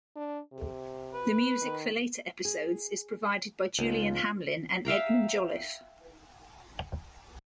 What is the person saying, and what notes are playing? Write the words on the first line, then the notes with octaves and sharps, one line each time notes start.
The music for later episodes is provided by Julian Hamlin and Edmund Jolliffe.
D4
C3
B4
D#3
G#4
C#2 B3 D#4 F4
E5 F5 G5 A#5